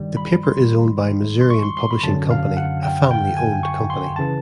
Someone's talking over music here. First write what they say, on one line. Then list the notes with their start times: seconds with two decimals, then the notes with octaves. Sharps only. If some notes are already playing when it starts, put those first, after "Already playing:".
The paper is owned by Missourian Publishing Company, a family-owned company.
Already playing: G2 D#3 G3
0.17 B5
0.43 C6
1.41 C6
1.50 C#6
1.63 C6
1.77 C6
1.91 B5
2.03 F#2 D3 F#3 A5
2.31 F5
2.57 F#5
2.83 G5
3.11 G5
3.37 G#5
3.63 C#6
3.90 C6
4.16 C#3 E3 A5